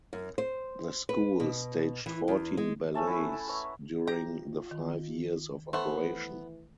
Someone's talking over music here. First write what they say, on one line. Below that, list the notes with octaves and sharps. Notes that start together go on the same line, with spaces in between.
The school staged fourteen ballets during the five years of operation.
F#2
C5
B4
B2
E3
E2
G#3
A3 C#4 A4 E5
E4 F#5 B5
A5
B4 C#5 A#5
F4 G4 A#5
D#3
E3 A3 B3 C5